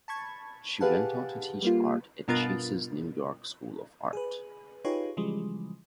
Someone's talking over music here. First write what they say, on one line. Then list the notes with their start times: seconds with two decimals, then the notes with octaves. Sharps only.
She went on to teach art at Chase's New York School of Art.
0.08 A5 B5 C#6 G#6
0.81 G4 G#4 B4 F5 F#5 A5
1.62 G3 A#3 F4
2.28 G1 B2 B3 F4 A#4 A6
4.13 G#4 B4
4.85 D#4 F4 G4 G#4 B4 C#5
5.17 C#3 E3 F3 G3 G#3